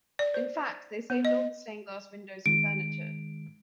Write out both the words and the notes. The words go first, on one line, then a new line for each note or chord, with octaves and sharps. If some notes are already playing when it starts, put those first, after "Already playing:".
In fact they saved all the stained glass windows and furniture.
D5
C5
B3
D#5
D#3 G#3 D7